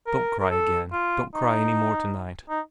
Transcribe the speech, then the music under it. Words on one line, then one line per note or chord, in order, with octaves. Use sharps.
'Don't cry again. Don't cry any more to-night.
A#4
A#4
A4
F4
D#4
D#4